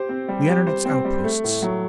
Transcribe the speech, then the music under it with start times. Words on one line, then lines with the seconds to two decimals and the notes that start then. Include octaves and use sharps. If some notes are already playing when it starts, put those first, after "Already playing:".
We entered its outposts.
Already playing: G4 C5
0.09 C4
0.29 G3
0.48 G4
0.67 C5
0.85 C4
1.05 G3
1.24 A3
1.44 A2
1.62 F#3